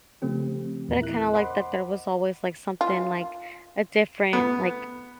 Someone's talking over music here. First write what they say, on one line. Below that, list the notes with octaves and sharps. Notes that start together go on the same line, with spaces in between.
but I kinda like that there was always, like, something, like, a different, like,
C#3 F3 A3 C4 G4
E2 A#2 A#4
E4 F#6
C5 D#5 F#5 B5 C6 D6
F4
B3